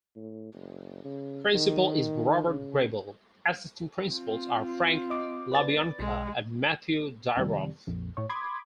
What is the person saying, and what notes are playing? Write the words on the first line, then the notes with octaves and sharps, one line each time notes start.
Principal is Robert Grable; assistant principals are Frank LaBianca and Matthew Dyroff.
A2
F#1
C#3
D#3
C#3
C4 F4
D#5 D6
B4 D5 A6
B1 G#3
F2 C3 D#3 G3
A#1 F2
A2 C#5
B5 C6 D6 D#6 G#6